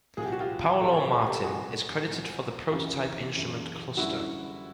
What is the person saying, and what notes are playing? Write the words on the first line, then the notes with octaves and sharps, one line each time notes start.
Paolo Martin is credited for the prototype instrument cluster.
C2 A#2 F3 G#4
G4
F#4
F4 G4
C2 A#2 F3 G4 A4
B4 C#5
A4 B4
G4 A4
C2 A#2 F3 G#3 F#4 G#4
C2 A#2 F3 G#3
F#1 F#2 C#3 E3 F4 G4
F#1 F#2 C#3 E3
F#1 F#2 D3 G3 E4 F#4